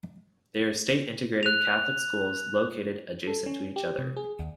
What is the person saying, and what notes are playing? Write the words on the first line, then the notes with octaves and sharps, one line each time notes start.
They are state integrated Catholic schools located adjacent to each other.
F#6 F7
A4
C#4
G4
C3
G#4
D#2